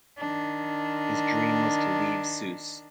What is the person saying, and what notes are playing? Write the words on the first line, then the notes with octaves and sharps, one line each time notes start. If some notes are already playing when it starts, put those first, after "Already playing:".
His dream was to leave Sousse.
D#3 D4